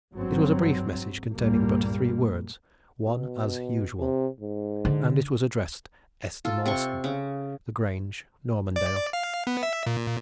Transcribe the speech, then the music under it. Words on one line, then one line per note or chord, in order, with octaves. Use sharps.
It was a brief message containing but three words--"One as usual"--and it was addressed Esther Mawson, The Grange, Normandale.
G#1 G2 F#3 C4
C#2 G2 A#2 G3 A#3
B2
C3
G#2
D3
F4 A4
C3 C6 C#6
C#3
D5
F5
B3
E5
A#2